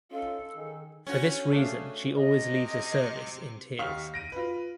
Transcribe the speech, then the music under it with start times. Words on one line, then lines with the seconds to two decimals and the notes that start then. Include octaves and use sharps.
For this reason she always leaves a service in tears.
0.11 C#4 D#4 F4 A4
0.55 D#3 G#4
1.07 D3 C#4 F#4
1.52 C#3 A3 D4 F5
2.15 C3 D#5
3.79 D#2 F5 C#6 F6 B6
4.14 A#6 D7 D#7
4.32 F4 B4